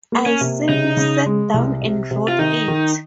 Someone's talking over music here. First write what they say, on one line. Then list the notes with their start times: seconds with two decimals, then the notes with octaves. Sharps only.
I simply sat down and wrote it.
0.12 A#3
0.26 C#4
0.41 C3
0.69 C#3 D#4
0.97 C#3
1.26 G#3
1.54 C2
1.83 C3
2.11 C3
2.28 F4
2.39 D#3 D#4
2.68 D#3